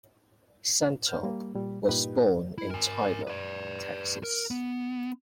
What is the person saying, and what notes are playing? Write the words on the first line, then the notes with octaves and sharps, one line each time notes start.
Santop was born in Tyler, Texas.
F6 G6
G3 A#3
A#2 G3
G2 A#2 D#4 G4 B4
E4
A#4 G#5
B4 D5
A#4
B3